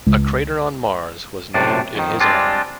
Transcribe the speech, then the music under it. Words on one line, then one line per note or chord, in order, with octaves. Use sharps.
A crater on Mars was named in his honour.
C#2
F#2 A2 C3 D4
F2 D#3
G3 G#3 C4 D4 F4